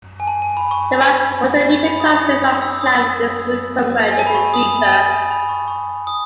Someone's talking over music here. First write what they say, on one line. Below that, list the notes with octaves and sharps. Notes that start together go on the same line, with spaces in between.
The mass potometer consists of a plant with its root submerged in a beaker.
G#5
A5
A5
B5
C#6
B5
D#6
C#6
D#6
E6
E6
D#6
G#5
A5
B5
C#6
D#6
B5
G#5
A5
A5
B5
C#6
C#6
D#6